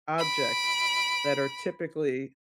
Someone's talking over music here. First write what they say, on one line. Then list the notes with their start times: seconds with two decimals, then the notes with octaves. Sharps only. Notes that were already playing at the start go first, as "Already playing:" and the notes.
objects that are typically
0.19 B5 D7